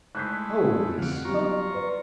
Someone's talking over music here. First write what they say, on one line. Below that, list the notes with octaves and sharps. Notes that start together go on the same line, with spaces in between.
Holy smoke!
G#3 A3 E4 F#6 G6 B6
F2 F5 F#5 D7
F#3 G3 B3 F4 A#5 C#6
B4 D5